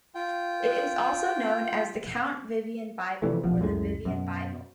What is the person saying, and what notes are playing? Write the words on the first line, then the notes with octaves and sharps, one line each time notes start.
It is also known as the Count Vivian Bible or the Vivian Bible.
F4 G5
C3 E3 F3 A3
D1 A#1 B2 F3
C#2 F#2 A2 G#3
F#2 B2